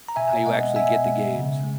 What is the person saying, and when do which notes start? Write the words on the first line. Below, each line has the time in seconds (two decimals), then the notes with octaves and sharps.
how you actually get the games,
0.09 A#5
0.16 B2 E5 G#5
0.46 G#3 B3 D#5 F#5
0.76 B2 E5 G#5
1.05 G#3 B3
1.35 C#3
1.63 G#3